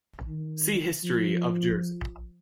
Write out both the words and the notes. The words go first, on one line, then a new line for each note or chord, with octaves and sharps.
See History of Jersey.
D#3
F3